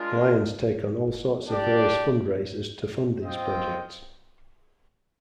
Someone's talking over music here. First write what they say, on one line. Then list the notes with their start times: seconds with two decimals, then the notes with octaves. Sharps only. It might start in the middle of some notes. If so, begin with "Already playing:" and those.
Lions take on all sorts of various fundraisers to fund these projects.
Already playing: G#3 D4 F4 A#4
1.49 D4 G4 D5
3.21 C4 F4 C5 D#5 G5